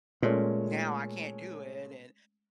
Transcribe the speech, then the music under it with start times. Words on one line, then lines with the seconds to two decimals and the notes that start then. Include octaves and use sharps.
now I can't do it, and,
0.23 A#2 G#3 A3 C#4